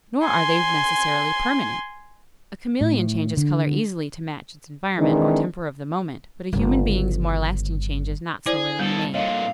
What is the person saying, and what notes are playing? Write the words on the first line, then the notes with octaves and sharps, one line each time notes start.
Nor are they necessarily permanent. A chameleon changes color easily to match its environment or temper of the moment, but a human being's more lasting change is not so readily made.
G#5 C6
A2
D3
D#3 E3 G#3 C4 D4 D#4
G1 C#3
E4 G#4 C5 D5
B2 G3 A4
A#2 D3 C#5 D#5 F5